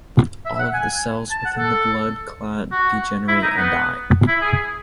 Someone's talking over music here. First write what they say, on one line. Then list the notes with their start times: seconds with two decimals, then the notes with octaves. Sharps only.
All of the cells within the blood clot degenerate and die.
0.45 E5
0.59 F#5
0.73 G#5
1.30 A5
1.45 F#5
1.58 A4
2.71 F#4
3.28 E4
3.42 D#4
3.57 B3
4.28 E4
4.41 G#4